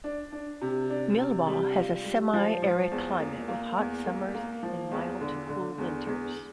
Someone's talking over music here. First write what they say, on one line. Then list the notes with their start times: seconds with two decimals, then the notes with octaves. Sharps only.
Mullewa has a semi-arid climate with hot summers and mild to cool winters.
0.04 D4
0.32 D4
0.62 C3
0.90 D4
1.18 C3
1.47 G3
1.77 F4
2.04 G3
2.33 F3
2.62 F3
2.91 E2
3.20 A#3
3.48 A#3
3.77 E2
4.06 A#3
4.34 A#3
4.63 F3
4.91 E2
5.21 D3
5.49 D3
5.78 E2
6.07 E2